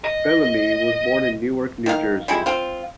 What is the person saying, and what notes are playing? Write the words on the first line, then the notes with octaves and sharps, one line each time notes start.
Bellamy was born in Newark, New Jersey.
D#5
D#3 F5
G3 G#3 E4
C4 F4